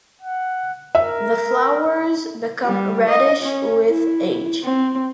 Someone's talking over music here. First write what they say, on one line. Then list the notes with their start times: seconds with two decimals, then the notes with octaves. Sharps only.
The flowers become reddish with age.
0.22 F#5
0.95 A#4 E5
2.65 G3
3.08 D#5
3.43 C#4
3.88 E4
4.64 C4